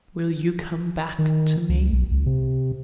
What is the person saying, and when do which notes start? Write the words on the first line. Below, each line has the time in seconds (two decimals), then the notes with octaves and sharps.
"Will you come back to me?"
1.18 D#3
1.69 C#2
1.92 B1
2.11 C#2
2.26 C3